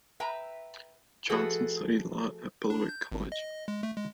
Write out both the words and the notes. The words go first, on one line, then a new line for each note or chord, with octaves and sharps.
Johnson studied law at Beloit College.
B4 E5 G5 A#5
F3 A3 F#4 G#4 A4 B4
D4
G6
G#1
D#5
G#3
A3
G#3